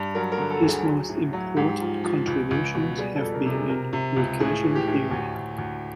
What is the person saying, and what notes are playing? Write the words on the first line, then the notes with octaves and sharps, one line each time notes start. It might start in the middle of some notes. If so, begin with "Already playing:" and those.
His most important contributions have been in recursion theory.
Already playing: G2
F#3 A#4
A#4
D3
A4
D2
G#4
F#3
A2
F#3
G#2 G4
F3
F3
C#2
C#2
B2
G3 G#4
A4
F2
A#4
C3
G#4
C3 A#4
C3
C#2
A2 G#4
E3
G4
A2
D2
D2
D2